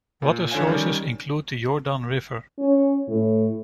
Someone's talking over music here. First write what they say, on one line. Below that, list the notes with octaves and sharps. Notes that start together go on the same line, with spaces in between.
Water sources include the Jordan River.
A#2
D3 F3 C#5 F5 G#5 E7
D#3 G3 C#4
C#4
A2